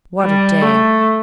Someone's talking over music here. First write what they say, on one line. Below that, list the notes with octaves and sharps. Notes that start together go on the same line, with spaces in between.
What a day!
G3
A3